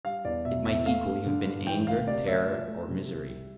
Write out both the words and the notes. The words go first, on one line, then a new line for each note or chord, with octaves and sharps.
It might equally have been anger, terror or misery.
G3 F5
E2 D5
B2 E5
E2 E5
A3 F5
G2
D3
G2
E3 G5
D2 F5
C3 D5
D2 E5
F3
A3
C3
C2
G3